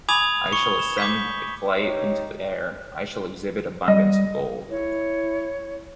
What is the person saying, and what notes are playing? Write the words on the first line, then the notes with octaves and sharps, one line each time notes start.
I shall ascend by flight into the air, I shall exhibit abundance of gold.
G#5 B5 D6 D#6 G#6 F7
C#6 C#7 G7
E7
D6 G6 B6
D#4 G4 C#5
G3 D#5
E4 C#5